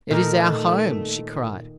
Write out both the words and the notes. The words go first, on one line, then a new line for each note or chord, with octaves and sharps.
"It is our home!" she cried.
A#2 D#3 A3 D#4 A#4